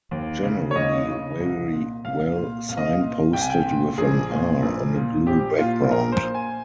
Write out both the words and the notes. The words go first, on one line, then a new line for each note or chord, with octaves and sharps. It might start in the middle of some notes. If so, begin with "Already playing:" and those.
Generally very well signposted with an 'R' on a blue background.
D#2
C#3
C#5
D#2 D#5
C#3
C2
A#2
C2 F5
A#2
C2 F5
D#5
F5
A#2
C2 G5
G#5
G5
A#2
A#1 G#4
A#2
A#1
A#2
A#1 G4
A#2 F4
A#1 A#4
C5
A#2
G#5